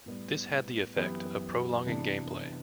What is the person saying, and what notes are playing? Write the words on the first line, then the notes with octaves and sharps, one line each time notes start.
This had the effect of prolonging gameplay.
A2 G3 B3
F#2 E3 B3 E4 G4
C3 E3 B3 D4